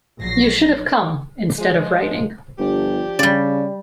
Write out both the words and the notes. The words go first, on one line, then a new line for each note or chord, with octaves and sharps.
You should have come, instead of writing.
A#1 F#3 A#6 C7
F3 G#3
G1 F3 D4 G4
C#3 G3 D5